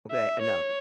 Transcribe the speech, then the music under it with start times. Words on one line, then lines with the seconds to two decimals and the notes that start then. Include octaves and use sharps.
okay, eh, none."
0.12 E5
0.42 C#5